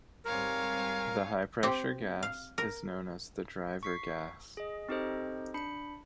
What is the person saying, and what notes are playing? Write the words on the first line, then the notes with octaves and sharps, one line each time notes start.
The high pressure gas is known as the driver gas.
G#2 G3 C4 A#4 C#5 F5 G#5
C4 G4
F5
A#4
C#6 B6 C7
G#4 D#5
C4 D#4 G4 A4 C5 D#5
D4 B5 C#7